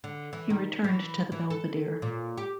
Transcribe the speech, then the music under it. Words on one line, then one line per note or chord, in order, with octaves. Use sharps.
He returned to the belvedere.
D3
E3
D#3
E3
E3
A4
A#2
G4